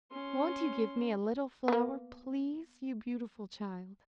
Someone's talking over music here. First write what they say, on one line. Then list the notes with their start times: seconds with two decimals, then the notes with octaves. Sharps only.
"Won't you give me a little flower, please, you beautiful child?"
0.11 C#4 C6
1.68 A#3 B3